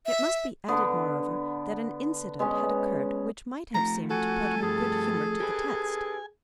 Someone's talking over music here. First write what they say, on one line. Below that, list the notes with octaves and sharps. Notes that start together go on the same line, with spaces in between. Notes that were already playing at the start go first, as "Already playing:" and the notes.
It must be added moreover that an incident had occurred which might have seemed to put her good-humour to the test.
E5
D3 B3 F#5
B2 G#3 B3 C#4
F3 A3 A#5
F#4 A4 G#5 C#6
G2 G#4 A5
G4 B4 G#5